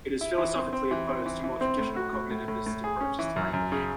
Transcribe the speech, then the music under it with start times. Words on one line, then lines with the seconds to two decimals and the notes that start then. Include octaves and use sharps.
It is philosophically opposed to more traditional cognitivist approaches to language.
0.21 E4
0.38 E3
0.55 C4
0.73 C4
0.91 E3
1.09 C4
1.26 E3
1.44 E3
1.61 C4
1.79 A2
1.96 F#4
2.13 A2
2.31 A2
2.48 A2
2.66 A2
2.84 G#4
3.00 C#4
3.19 E3
3.36 F#2
3.53 F#2
3.72 C#3